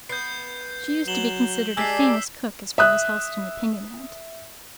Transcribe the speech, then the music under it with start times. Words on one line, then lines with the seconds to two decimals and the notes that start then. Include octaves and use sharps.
She used to be considered a famous cook as far as Helstone opinion went.'
0.09 B3 G6 C7
1.07 F#3 E7 F#7 G7
1.77 G#3 D4 D#4 G4 G#5 E6 B6 C7
2.78 E5 D#6 F#6